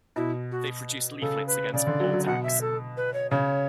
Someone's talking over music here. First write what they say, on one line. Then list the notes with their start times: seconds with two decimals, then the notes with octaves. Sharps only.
They produced leaflets against the poll tax.
0.16 B2 E4
0.51 F#4
1.21 C#3 A4
1.47 B4
1.74 C#3 D5
1.87 D3
2.00 F#3
2.13 F#3
2.26 B2 F#5
2.43 E5
2.61 A4
2.97 B4
3.14 C#5
3.31 C#3 C#5